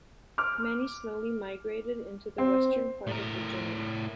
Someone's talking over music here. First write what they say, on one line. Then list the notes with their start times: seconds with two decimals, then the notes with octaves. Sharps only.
Many slowly migrated into the western part of Virginia.
0.38 D6 F6
2.38 C4
3.07 A2 A#4